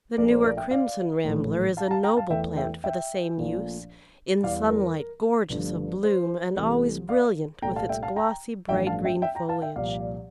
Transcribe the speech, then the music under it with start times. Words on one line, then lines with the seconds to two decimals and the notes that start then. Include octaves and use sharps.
The newer Crimson Rambler is a noble plant for the same use, in sunlight gorgeous of bloom, and always brilliant with its glossy bright-green foliage.
0.17 A#1 A#2 A3 A#4 D5
0.31 C5
0.44 A#4 D5
0.57 E5 G5
0.71 D5 F5
1.24 A#1 A2 E3 A3
1.77 F5 A5
1.87 A#5
1.91 F5 A5
2.04 G5 A#5
2.17 F5 A5
2.30 E2 E3 A3 E5 G5
2.57 E5 G5
2.84 E5 G5
3.37 A#1 A#2 F3 A3
4.43 E2 E3 G3 D5 F5
4.70 A#4
5.49 G1 G2 F3 A3
6.03 C5
6.56 C2 C3 E3 A3
7.09 D5 F5
7.62 C2 A#2 A3 G5 A#5
7.76 F5 A5
7.89 E5 G5
8.03 F5 A5
8.16 G5 A#5
8.69 A1 G2 F3 A3 E5 G5
8.87 F5 A5
9.05 E5 G5
9.22 E5 G5
9.35 G5 A#5
9.49 F5 A5
9.62 E5 G5
9.76 C2 A#2 F3 D5 F5